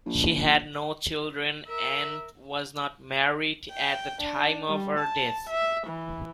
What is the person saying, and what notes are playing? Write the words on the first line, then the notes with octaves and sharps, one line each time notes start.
She had no children and was not married at the time of her death.
A#1
A#4 E5
G5
D4
G3
A5
E5
E3